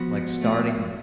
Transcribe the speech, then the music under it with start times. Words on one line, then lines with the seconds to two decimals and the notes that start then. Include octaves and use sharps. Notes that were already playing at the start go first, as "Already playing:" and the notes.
like starting
Already playing: F3 B3 F#4
0.40 A3